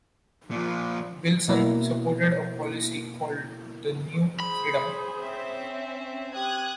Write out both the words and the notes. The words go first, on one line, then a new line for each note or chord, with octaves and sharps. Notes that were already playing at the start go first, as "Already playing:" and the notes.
Wilson supported a policy called "The New Freedom".
A#2 F3
B2 A#3 E4
G#4 C5 B5
C4 C#4 E5
C4 G4 D#6 F#6 G#6